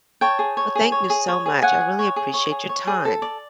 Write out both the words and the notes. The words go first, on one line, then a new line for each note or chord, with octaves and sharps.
Well, thank you so much, I really appreciate your time.
C#5 G5 A5
G#4
C#5
G#4
C#5
G#4
C#5
G#4
C#5 F#5 G#5
G#4
C#5
G#4
C#5
G#4
C#5
G#4
A4
D5